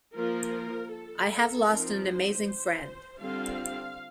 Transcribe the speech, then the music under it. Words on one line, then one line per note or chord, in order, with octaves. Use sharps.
I have lost an amazing friend.
F3 A#3 F4 A#4
A4
F3 C4 D#4 A#4
C5
C5
D3 G3 C4 F4 F5